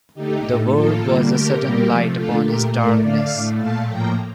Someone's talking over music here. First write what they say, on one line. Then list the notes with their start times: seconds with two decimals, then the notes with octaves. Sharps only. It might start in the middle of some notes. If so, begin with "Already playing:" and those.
The word was a sudden light upon his darkness.
0.14 D3 A3 D#4 G4
0.43 A2 A3
0.71 A2 F3 A#3 F4 A4
1.00 D3 G3 A#3
1.28 D3 A3 G4 A#4
1.58 A#2 G3 A#3
1.86 C3 F3 A3
2.14 D3 A3 F4 A4
2.43 A#2 A3 G4 A#4
2.71 A2 A3 A#4 D5
3.01 D3 A3 D5 F5
3.30 A2 A3
3.57 A#2 A3 F5 A5
3.86 A2 F3 A#3 G5 A#5